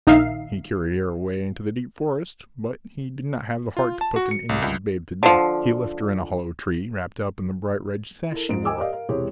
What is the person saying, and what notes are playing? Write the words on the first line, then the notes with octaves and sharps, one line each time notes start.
He carried her away into the deep forest, but he did not have the heart to put an innocent babe to death. He left her in a hollow tree, wrapped up in the bright red sash he wore.
A#1 D#3 D#4 E5 F5 C7
F4
A5
F#4
C#7
C2
C#2
D3 F3
E4 A4 A#4
G#2 F3 D7
D#5 G5 G#5 D6 E6
G4 A#4 D5 D#5 F5
A#4 F5
E1 C3 G#3 E4 G4 C#5